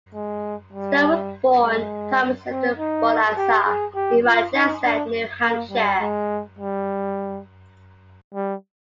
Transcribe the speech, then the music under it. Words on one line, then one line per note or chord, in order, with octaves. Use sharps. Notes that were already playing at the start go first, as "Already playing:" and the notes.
Stone was born Thomas Edward Bourassa in Manchester, New Hampshire.
G#3
G3
G#3
C4
D#4
G4
G#4
G4
F4
D#4
D4
A#3
G3
G#3
G3
G3